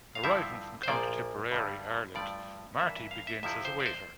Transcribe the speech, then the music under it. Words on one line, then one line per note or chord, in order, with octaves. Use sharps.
Arriving from County Tipperary, Ireland, Marty begins as a waiter.
F5
G2 D3 F3 C4 E4 E5
C5
A#1 A#2 F3 A#3 D5
G2 D3 G3
G2 F3 A3 D5
G2 E3 A#3 D4 E5
E5
F5
E5
F2 C3 F3 C4 E4 E5
C5
D5
C5